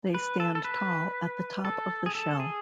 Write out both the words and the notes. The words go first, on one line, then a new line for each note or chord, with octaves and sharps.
They stand tall at the top of the shell.
B4
A4
A4
B4
A4
G#4
A4
G#4